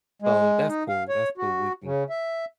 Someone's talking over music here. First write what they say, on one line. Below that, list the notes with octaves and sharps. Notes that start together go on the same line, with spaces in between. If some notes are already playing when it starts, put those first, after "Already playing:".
So that's cool, that's cool, we can
G#3
D#4
F5
C#5
F#4
C#3
E5